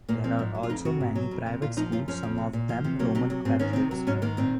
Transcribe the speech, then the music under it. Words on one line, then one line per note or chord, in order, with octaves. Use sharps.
There are also many private schools, some of them Roman Catholic.
A#2 A#3
F3 C4
G#2
F#3
F4
F2 D#4
C3 F#4
G#2
F#3
F2
C3
A#2 F4
F3 D#4
F#2 F4
F3 C#4
F2
C3
A#2
F3
C3
F#3 A#3
C3 D#4
F#3
G#2 C4
D#3 C#4
C3 C4
F#3
G#2 C#4
D#3 A#3
A#2 C4